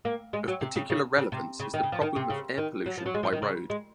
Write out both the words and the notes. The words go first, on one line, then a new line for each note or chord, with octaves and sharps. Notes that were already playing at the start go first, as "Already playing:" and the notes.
Of particular relevance is the problem of air pollution by road.
A#3
G#3
F#3
C3
C#3
C#3
C#3
C3
C#3
D#3
C#3
F3
D#3
C3
C#3
D#3
F#3
F3
F#3
G#3
F3
D#3
C#3
G#3